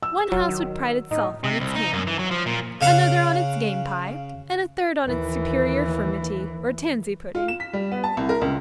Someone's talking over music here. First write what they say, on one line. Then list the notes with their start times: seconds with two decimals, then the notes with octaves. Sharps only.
One house would pride itself on its ham, another on its game-pie, and a third on its superior furmity, or tansey-pudding.
0.03 E6
0.32 E1 F#3
0.49 D#3
1.11 A2 D#4
1.44 C3
1.60 C2
1.76 D#4
1.93 F#2
2.07 E3
2.19 F#3
2.31 F3
2.46 A#2
2.81 C#3 F5 F#5
5.06 D#2 E3
7.35 F4
7.48 E7
7.60 B6
7.73 G3
7.92 B3
8.04 A5
8.17 C2
8.29 A#4
8.41 C#2